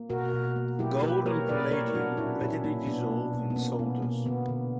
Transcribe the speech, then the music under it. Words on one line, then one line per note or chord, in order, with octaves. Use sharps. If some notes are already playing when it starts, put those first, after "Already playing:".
Gold and palladium readily dissolve in solders.
Already playing: A#3
B2 F#4 A#4
B2
A#3
F#3 E4 G4
A#3 G4 B4
A#3 A#4 C#5
A#2 B4 D5
A#3 A#4 C#5
F#3 D4 F#4
A#2 C#4 E4
A#2 C#4 E4
A#2 A#3 C#4
B2 B3 D4
A#3
B2
B3
A#3 C#4
B2 B3
B2 A#3
D3 B3
D3